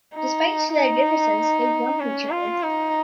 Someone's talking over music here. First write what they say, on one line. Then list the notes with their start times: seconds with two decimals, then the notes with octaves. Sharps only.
Despite their differences, they warm to each other.
0.14 D#4
0.75 D#4
2.00 C#4
2.31 F4
2.63 D#4